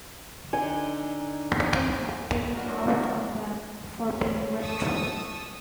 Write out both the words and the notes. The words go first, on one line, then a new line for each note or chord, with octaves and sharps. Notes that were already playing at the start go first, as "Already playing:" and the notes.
People have paid out on them for being retro.
D3 D#4 G#5
E3 F#3 B3 D4 F#4 A#4
C#4
A5 C#6 D#6 E6